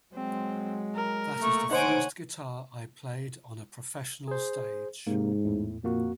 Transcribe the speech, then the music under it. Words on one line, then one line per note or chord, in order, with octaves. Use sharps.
That is the first guitar I played on a professional stage.
F#3 G#3 C4
A#4
A3 A#3 C#6
D3 D#4 C5 C#5 F#5 G#5 D7
G#4 C5
G#2 C3 A#3
E2 A2
F2 A#2 A#3 F#4